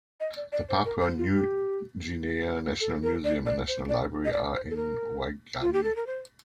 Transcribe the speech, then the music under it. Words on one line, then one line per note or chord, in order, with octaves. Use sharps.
The Papua New Guinea National Museum and National Library are in Waigani.
D#5
D5
D5
C5
A#4
C5
F4
G4
A4
A#4
D5
D5
C5
D5
D#5
D5
C5
A4
A#4
F4
G4
A4
A#4
C5